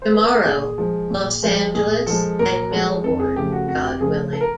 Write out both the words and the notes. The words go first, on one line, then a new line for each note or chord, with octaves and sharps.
Tomorrow, Los Angeles and Melbourne, God willing.
C5
B4
A#4
A4
A#2 G#4
F3 G#3
A#2
F3 G#3
A#2 G#4
F3 G#3 A4
A#2 A#4
F3 G#3 A4
F2 A4
G#4
C#3 F3 A3 G4
F#4
F2 F#4
G4
C#3 F3 A3 G#4
A4
A#4